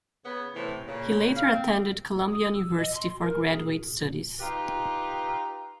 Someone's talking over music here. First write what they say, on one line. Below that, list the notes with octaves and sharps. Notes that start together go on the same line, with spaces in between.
He later attended Columbia University for graduate studies.
C#3 B3
A2 C3 E3
A#2 C#3
F5
C4
D#6
E6
D#5
C6
A#4
G#4
D#4 F4 G4 B4